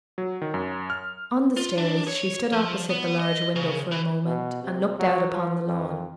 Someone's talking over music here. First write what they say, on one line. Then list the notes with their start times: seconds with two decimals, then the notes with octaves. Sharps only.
On the stairs she stood opposite the large window for a moment, and looked out upon the lawn.
0.18 F#3
0.42 D#3
0.54 F#2
0.90 F6
1.57 F4
1.78 D4
2.08 C#5
2.52 F3
2.90 B3
3.20 D#5
3.56 C#3
3.91 E3
4.26 B2
4.63 C3
4.99 F#3
5.32 F3
5.66 F2